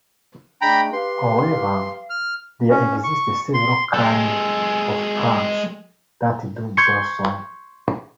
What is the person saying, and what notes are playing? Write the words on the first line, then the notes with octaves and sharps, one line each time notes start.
However, there exist several kind of plants that do blossom.
G#3 A3 D4 G5 A#5 B5
G4 B4 F5 C6
F6
C#4
C#6
C6
G#3 A4
C6 C#6 G6 G#6 C#7